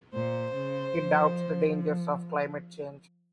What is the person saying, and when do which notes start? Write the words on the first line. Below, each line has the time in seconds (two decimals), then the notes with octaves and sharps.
He doubts the dangers of climate change.
0.14 A#2 C5
0.56 C#3
0.98 F3